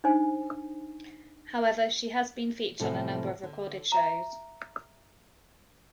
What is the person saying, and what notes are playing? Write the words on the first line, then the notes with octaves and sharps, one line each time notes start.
However, she has been featured on a number of recorded shows.
D4 D#4 C5 G#5
E2 A2 C3 F3 A4
D3
E5 A#5